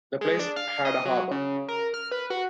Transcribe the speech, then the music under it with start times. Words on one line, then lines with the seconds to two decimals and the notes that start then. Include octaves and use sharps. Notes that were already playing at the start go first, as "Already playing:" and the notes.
The place had a harbour.
0.21 G#3
0.39 D4
0.56 F5
0.85 D#5
1.05 F#3
1.31 C#3
1.68 A#4
1.94 F6
2.12 B4
2.30 F#4